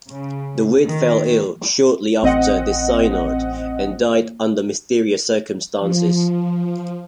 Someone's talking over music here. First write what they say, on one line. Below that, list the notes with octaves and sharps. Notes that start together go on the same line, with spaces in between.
Dawit fell ill shortly after this synod, and died under mysterious circumstances.
C#3
D#3
A1 C4 D#5 F#5
F3